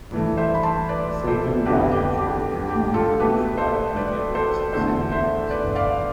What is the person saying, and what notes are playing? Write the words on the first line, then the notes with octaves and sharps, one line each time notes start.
Seiko watches were originally produced by two different subsidiaries.
G2 E3 A3
C5 E5
B5
A5 C6
B4 D5
A4 C5
F2 D3 G3 B3 G4 B4
G4 B4
G4
G4
F4 A4
B2 A3 G4 B4
A4 C5
B4 D5
A4 C5
E2 D3 A3 A4 C5
C5 E5
B4 D5
D5 F5